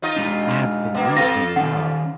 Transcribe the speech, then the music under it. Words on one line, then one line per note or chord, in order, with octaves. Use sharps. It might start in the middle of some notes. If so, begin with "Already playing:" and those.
Absolutely, wow.
D#4 F4 D#5
G#3 D4
B2 A#3
C4 F4 F#4 A4 F5 A#6
D#3 C#4 F#5